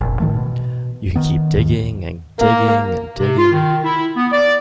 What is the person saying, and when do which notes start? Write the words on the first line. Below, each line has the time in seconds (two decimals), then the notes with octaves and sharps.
You can keep digging and digging and digging.
0.01 F1 A#1
0.20 A2 D#3 E3 A3
0.35 B2
1.16 D#3 B3
1.56 D#2 G#2 D#3 F3
2.39 A#3
3.18 C3
3.37 F4
3.52 D#3
3.84 E4
4.16 B3
4.33 D5